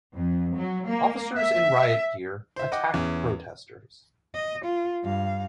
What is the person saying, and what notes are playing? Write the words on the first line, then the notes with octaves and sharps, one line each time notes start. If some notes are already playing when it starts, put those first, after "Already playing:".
Officers in riot gear attacked protesters.
F2
F#3
A#3
E5
C5 E5
D#5 F#5 G5 D6
E2 C#4
D#5
F4
G2 F5